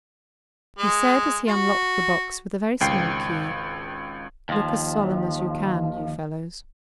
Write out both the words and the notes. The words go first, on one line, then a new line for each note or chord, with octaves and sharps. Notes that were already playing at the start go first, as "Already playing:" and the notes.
He said, as he unlocked the box with a very small key, "Look as solemn as you can, you fellows."
G#3
F#4
G#1 C#2 G5 C7
D#2 F3